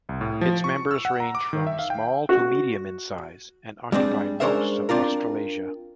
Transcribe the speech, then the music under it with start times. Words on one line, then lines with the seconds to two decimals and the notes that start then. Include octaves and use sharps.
Its members range from small to medium in size, and occupy most of Australasia.
0.09 C2
0.21 A2
0.41 F3
0.64 C#6
0.91 E6
1.05 F#5
1.20 A#5
1.35 D6
1.53 D#3
1.67 E5
1.79 F5
1.90 G5
2.29 F#4
3.92 G3 G#3 C4 D4
4.40 G#3 C#4 D4 A#4 C5 E5
4.89 C4 D4 F4 A#4